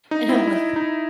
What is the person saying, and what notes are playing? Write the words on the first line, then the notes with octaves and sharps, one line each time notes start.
And I'm like,
D#4
E4
E4
D#4